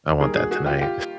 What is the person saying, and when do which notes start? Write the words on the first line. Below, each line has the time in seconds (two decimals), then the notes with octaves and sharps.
I want that tonight
0.20 D#3 G3 A#3 G#4 A#4
0.36 F#4 G#4
0.51 F#4 G#4
0.66 F4 G4
0.82 F4 G4